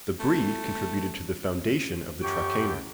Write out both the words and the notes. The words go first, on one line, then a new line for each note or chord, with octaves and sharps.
The breed contributed to the foundation of the Trakehner.
A3
F#2 G4 G5 C#6